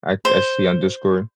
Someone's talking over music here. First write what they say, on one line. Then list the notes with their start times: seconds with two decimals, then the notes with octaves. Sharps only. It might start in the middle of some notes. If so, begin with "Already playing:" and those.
I c I see on Discord.
0.25 C5